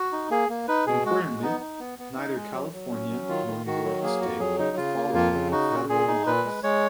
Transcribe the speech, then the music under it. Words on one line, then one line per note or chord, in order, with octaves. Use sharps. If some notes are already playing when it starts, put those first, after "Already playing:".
Importantly, neither California nor New York state follow federal models.
Already playing: F#4
D#4
A#3 G#4
A#3
D#4 B4
B2 G#4
G#3 F#4
G#3
B3 D#4
D#4
B3
B3
D#4
G#3
F#3
F#3
C#4
F#3
D#3 F4
D#3
D#3 F#4
F#3
A#3 G#4
F2 F#4
F#3 G#4
C#3 D#4
C#3 F4
A#3
F2 F4
C#3
D#4 F#4
A#2
A#2 G#4
D#4
A#2 B4
G#3
G#3 C#5